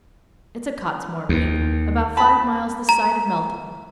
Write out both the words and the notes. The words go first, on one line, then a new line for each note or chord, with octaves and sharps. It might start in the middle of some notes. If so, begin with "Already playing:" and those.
"It's a Cottesmore meet,--about five miles this side of Melton."
D#2
A5 B5
A#5